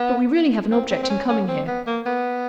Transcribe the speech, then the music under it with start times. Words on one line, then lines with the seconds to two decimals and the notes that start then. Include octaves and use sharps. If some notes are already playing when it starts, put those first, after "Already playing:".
But we really have an object in coming here.
Already playing: B3
0.72 C4
0.91 C4
1.03 C4
1.10 C#4
1.29 C#4
1.48 C4
1.68 B3
1.87 A#3
2.06 B3